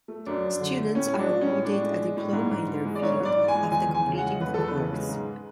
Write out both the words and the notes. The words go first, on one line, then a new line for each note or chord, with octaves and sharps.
Students are awarded a Diploma in their field after completing the course.
A3
F#2 D4
F#2
D3
A3
A2 C#4
G#3
D4
G#3
C#4
A2
A2 D4
G#3
G#3
A2
G#2
G#2
E3
G#3
D5
G#2 C#5
G#2
D5
E3
G#5
G#3
E2 G#5
E2
G#5
C#3
F#5
G#3
E2 B4
E2 A4
B4
C#3
G#3
G#2